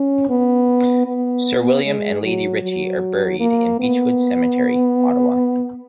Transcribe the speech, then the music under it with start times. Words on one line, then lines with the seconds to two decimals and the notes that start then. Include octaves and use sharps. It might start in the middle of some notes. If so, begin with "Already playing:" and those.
Sir William and Lady Ritchie are buried in Beechwood Cemetery, Ottawa.
Already playing: C#4
0.29 B3
1.07 B3
1.84 G#3
2.23 F#3
2.62 F#3
3.40 A#3
3.80 B3